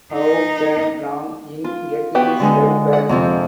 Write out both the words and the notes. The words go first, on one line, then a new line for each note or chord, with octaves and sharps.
How can Long Ying get his life back?
D#4
F4
B3 F#4 G4
D3 G#3 D#4
F#5
F2 C3 F3